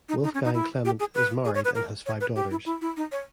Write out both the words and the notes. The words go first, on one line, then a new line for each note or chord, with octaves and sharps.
Wolfgang Clement is married and has five daughters.
D#4
D#4
C#4
D#4
E4
G4
G#4
B4
G#4
C#5
B4
A#4
C#5
B4
G4
E4
E4
E4
D#4
C#5